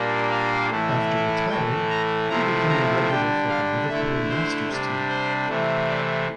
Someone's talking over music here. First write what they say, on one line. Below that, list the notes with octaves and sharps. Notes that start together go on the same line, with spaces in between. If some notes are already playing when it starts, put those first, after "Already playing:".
After retiring, he became a regular for the Liverpool Masters team.
Already playing: A#2 G3 A#3 D4
F5
A2 E3 A3 E4
A2 E3 A3 G5
A#5
C3 F3 A3 E4 A#5
A#5
D3 G3 D4 G5
F5
D3 A3 E4 E5
C5
C3 G3 D4
C5
C3 E3 A3
D5